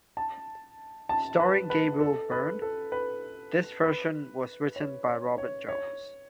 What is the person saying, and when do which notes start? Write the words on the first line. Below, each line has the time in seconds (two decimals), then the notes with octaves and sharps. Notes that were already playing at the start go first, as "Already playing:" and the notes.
Starring Gabriel Byrne, this version was written by Robert Jones.
0.17 A5
1.09 A5
1.40 B4
1.70 B4
2.00 A4
2.32 B4
2.62 A4
2.92 B4
3.84 B4
4.76 C#5
5.07 C#5
5.38 C#5
5.68 C#5